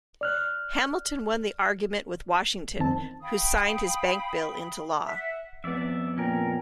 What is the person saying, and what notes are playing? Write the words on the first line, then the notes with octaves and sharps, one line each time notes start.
Hamilton won the argument with Washington, who signed his Bank Bill into law.
D5 F6 F#6
F2 D#3 C4 A5
F5 G5 B5 D#6
E5 F#5
F2 B3 D5 E5
A#2 C#4 A#4 B4 G5 G#5